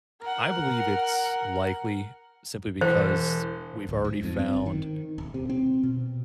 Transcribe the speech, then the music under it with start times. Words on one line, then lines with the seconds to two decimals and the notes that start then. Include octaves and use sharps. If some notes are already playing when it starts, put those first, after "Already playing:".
I believe it's likely simply because we've already found,
0.21 A#4 F#5
2.81 E1 C5
3.89 D1
4.04 G#2
4.24 F2
4.39 C4
4.53 G1
4.66 D#3
5.18 D#1
5.34 C3
5.49 C4
5.83 B2